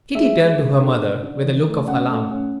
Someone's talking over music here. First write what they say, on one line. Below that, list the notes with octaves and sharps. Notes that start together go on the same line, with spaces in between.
Kitty turned to her mother with a look of alarm.
G#3 E5
G#3
G#3
D3
D4
D4
E3
A3
C#4 F#5
A3
C#4